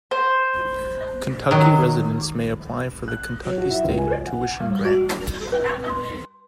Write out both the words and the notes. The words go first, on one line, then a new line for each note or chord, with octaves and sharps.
Kentucky residents may apply for the Kentucky State Tuition Grant.
C5
D#3 F#3
F#6
F#3
F#4
E4
C#2
G#5
F#5
G3
F#4
B4
C6